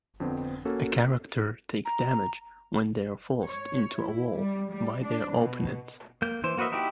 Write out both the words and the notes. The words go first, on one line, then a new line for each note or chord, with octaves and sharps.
A character takes damage when they're forced into a wall by their opponent.
F2 D3 B3 C4
A#3 C#4 F#4 A4
A#5
C#5
E4
G3
G3
D4
B2
A#3 G6
E3 C5
A#3 F#4 B4 D#5 E5
D#4 E4 F#4 G4